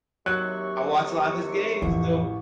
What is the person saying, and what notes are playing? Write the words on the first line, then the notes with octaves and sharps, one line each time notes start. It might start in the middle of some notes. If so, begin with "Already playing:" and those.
I watched a lot of his games though.
D#2 C3 F#3 C#6 F#6
A1 F2 E3